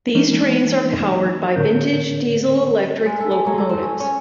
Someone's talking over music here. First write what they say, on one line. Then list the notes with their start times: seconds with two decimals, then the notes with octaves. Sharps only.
These trains are powered by vintage diesel-electric locomotives.
0.15 E3 G#3 A#3 C#4 D#4
1.56 A2 D3 C#4 A#4 C#5 G6
3.06 G#3
3.20 A4
3.32 G#3
3.46 F#3
3.58 A4
3.69 C4
3.82 C#4
4.00 C#4